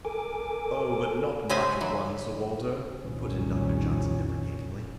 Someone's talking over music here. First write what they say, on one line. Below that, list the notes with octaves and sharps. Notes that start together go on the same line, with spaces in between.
"Oh, but not much of one, Sir Walter," put in Doctor Johnson, deprecatingly.
A4 A#4 G#5 D6
C#3 G#3 C5 D#5 E5 G#5
E3 F#3
C2 F2 A#2 D#3 C#4